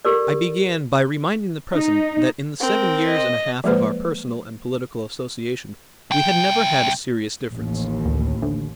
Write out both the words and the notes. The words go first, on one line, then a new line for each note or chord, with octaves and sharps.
I began by reminding the President that in the seven years and a half of our personal and political association we had never had a serious difference.
G4 A4 A#4 D5
D#4
C4 A#4
D#5
F3 G#3 A#3 G#4 B4 C5
C2 G5
A1 D#2
D2
D2